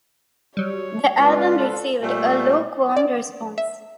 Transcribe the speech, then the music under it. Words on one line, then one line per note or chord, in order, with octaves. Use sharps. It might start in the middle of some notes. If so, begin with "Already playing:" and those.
The album received a lukewarm response.
F#3 G3 C#5
C#2 F4 B4 D5
A4
A#2 G3 A3
D5
E5